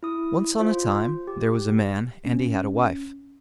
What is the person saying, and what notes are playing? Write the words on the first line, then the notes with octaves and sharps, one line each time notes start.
Once on a time there was a man, and he had a wife.
E4 D#6
F4 C5
G4
C#4